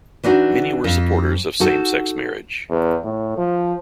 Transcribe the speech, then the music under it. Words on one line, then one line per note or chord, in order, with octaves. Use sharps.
Many were supporters of same-sex marriage.
E3 D4 D#4 F#4
F2
D#4 F#4 A4
E2
A2
F3